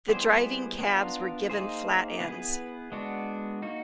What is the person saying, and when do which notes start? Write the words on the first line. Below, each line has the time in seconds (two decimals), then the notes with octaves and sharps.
The driving cabs were given flat ends.
0.08 G3 B3 E4 G#4 C5
0.79 B3 D4 F4 A#4
1.50 A#3 D#4 G#4 C5
2.20 B3 E4 G#4 B4
2.92 G#3 B3 D4 F#4
3.62 A#3 D#4 F#4